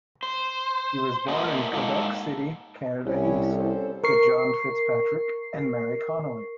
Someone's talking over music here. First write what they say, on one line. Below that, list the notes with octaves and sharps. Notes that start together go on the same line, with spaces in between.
He was born in Quebec City, Canada East, to John Fitzpatrick and Mary Connolly.
C5
A3 A#3 F#4 D#5
G#2 A#3 A4
C2 C#4 E4
C#4 A4 C5
A#4 C#6 C7